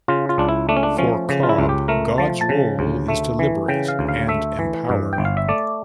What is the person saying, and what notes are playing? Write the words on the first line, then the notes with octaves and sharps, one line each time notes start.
For Cobb, God's role is to liberate and empower.
C#3 F4
F4
C#2 D4
E4
A3 D4
C#4
D4
F3 C#4
C#3
F4
E4
C#2
G4
A3 A#4
F3 A5
A5
C#3
D2
A3
E3
C#3 G5
F5
D2
F5
A3 E5
E3
G2
G5
G1
F5
E5
A3 D5